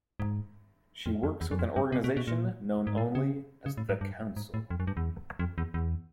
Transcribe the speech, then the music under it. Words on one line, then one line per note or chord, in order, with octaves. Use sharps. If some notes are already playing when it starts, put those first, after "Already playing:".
She works with an organization known only as "The Council".
G#2
F2
F2
E2
F#2
F2
G2
C3
B2
B2
A#2
G#2
A2
C#3
C#3
A2
G#2
G2
G#2
A2
F2
F#2
G2
E2
F2
E2
E2